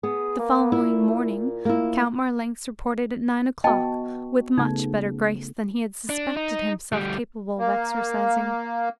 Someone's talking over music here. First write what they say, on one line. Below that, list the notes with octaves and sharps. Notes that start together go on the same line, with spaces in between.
The following morning Count Marlanx reported at nine o'clock with much better grace than he had suspected himself capable of exercising.
B3 G#4
A#3
A#2 E4
A#3 E4
B3 F#4 D#5 G5 A5
C#3 A3 B3 D#4
D4
D#4
D2 G3
A#3